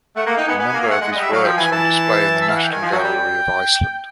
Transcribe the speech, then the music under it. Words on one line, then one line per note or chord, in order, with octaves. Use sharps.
A number of his works are on display in the National Gallery of Iceland.
A3 F#5
A#3 F#5
D#4 G5
B3 G#5
B3 G#5
G#5
A#3
G#5
A3 F#5
G#3 F#5
G3 D#5
E5
F#3 F5
F3 G5
E3 G#5
E3 A5
E5
F5
F#5
G5
D#3 G#5
F3 G#5
F#3
G3 G5